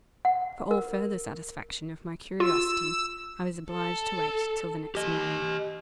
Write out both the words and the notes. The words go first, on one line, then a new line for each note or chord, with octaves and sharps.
For all further satisfaction of my curiosity, I was obliged to wait till the next morning.
F#5
A#4
F4 E6
A4
G4 D#5